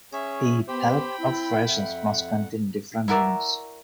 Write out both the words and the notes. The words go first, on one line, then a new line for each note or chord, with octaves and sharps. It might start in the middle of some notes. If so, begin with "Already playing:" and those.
A pallet of rations must contain different menus.
C#4 G#4 C#5 E5
B3 G4 C5 G5 B5
C4 E4
F2 E5 F#5
E4 F#4 A#4 D5 E5